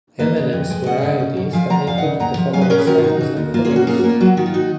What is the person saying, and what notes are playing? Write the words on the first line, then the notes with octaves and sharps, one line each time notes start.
M and M's varieties have included the following sizes and fillings.
A#3 B4 D#5
C#3
F2
G#3
C#3 D#5 F#5
C#3
C#4
F#2
F3 F5 G#5
F3 F#5 A#5
F2 F5 G#5
D#5 F#5
C#3
D#2 F#5 A#5
F3
F#3 F5 G#5
B4 D#5
C#4 A#4 C#5
G#4 B4
D#3 F#4 A#4
F4
D#4
F#4
C#3
D#2
A#3 F4
F4 G#4
C#4
F#4
A#3 F4 G#4
F#4
A#3
F4
F#3 F#4
D#3 F#4
F4
D#4 F#4